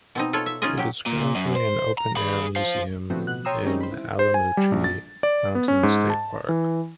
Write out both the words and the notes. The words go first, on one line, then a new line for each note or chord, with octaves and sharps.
It is currently an open-air museum in Allamuchy Mountain State Park.
B2 C4 D#4
F4 A4 C#5
E5
C#4 D#4 F4 G#4 D#5
F#3 G4
A#2
F#2
C5
A#5
G#4 B5
C5 F5
A2 D3 F3 B3 C4 F#4
B2 F#6
C#5 G5 A#5 C6 D#6 E6
D#3 G3 G#3 C4 C#4 D#4
C5 B5
E4
C5
G#5
G3
A#1
A6
D5
B3
C#4
G#2
A5
E3